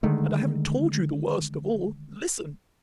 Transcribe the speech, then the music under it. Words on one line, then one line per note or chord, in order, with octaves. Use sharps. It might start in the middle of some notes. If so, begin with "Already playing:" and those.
And I haven't told you the worst of all. Listen!
D3 D#3 G#3 A3